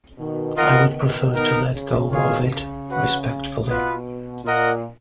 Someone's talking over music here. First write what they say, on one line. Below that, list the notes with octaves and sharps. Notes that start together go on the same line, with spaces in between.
I would prefer to let go of it, respectfully.
B2 D#3
B2 D#3 F4 A#4 D#5 F#5
B3 D#4 A#4
C#3
B2 D#3 F4 G#4 C#5 F5
C#3
F#4 B4 F#5
B2 B3 F4 B4 F#5
A#2 F4 A#4 D#5 F#5